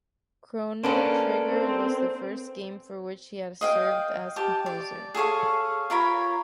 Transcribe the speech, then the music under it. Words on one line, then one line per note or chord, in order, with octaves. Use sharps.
"Chrono Trigger" was the first game for which he had served as composer.
A#3 C#4 D4 A4 B4 C5
C4
D#5 F5 G5
G4 A5
D5
G#4 A4 C#5 F5
F4 A#4 C#5 B5